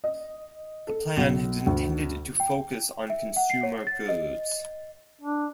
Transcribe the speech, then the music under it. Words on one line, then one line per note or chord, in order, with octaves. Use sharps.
The plan had intended to focus on consumer goods.
D#5
A4
B1
D2
G5
E5
F#5
C7
C#5
A6
D#5
D4